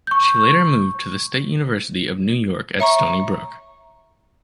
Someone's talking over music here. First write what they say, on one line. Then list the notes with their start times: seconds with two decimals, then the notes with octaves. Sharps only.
She later moved to the State University of New York at Stony Brook.
0.07 C#6 G6
2.79 C#5 E5 A#5 C#6